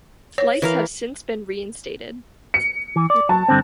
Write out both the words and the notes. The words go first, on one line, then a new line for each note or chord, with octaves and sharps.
Flights have since been re-instated.
C#5
E3 A#4 F5
C#7
E3
D5
F#3 A5
G2 D3 C4